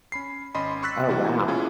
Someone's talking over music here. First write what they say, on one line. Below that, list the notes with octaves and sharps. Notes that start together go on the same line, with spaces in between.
Oh, wow.
C#4 B5 C7
G#1 C#4 D#5 B5 C6
C6 C#6 E6 F#6 A6 B6
E3 A#3 F#4
C#4 E4 F4 G#4